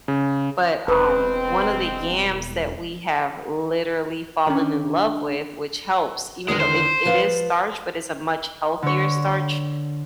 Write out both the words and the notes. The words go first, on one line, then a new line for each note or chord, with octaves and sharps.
but, um, one of the yams that we have literally fallen in love with which helps even though it it is starch, but it's a much healthier starch,
C#3
E1 G#3 B3 C4 B4
D#3 C#4 D4
E2 D3 D#3 G#3
C5
F3 B4 F5
D3 C#5